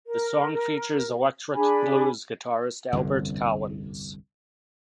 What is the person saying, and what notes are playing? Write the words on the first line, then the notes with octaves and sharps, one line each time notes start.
The song features electric blues guitarist Albert Collins.
A#4
D4 G#4 G#5 B5
G1 C2 F2 D3